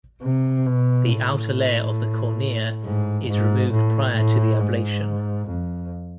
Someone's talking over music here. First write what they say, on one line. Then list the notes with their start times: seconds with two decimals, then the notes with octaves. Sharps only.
The outer layer of the cornea is removed prior to the ablation.
0.23 C3
0.67 B2
1.10 A2
2.84 G#2
3.28 G#2
3.72 A2
4.16 A2
4.60 G#2
5.48 F2